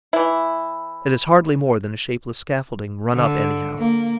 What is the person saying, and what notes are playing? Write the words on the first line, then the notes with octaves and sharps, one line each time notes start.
It is hardly more than a shapeless scaffolding, run up anyhow.
E3 E4
D3
A#3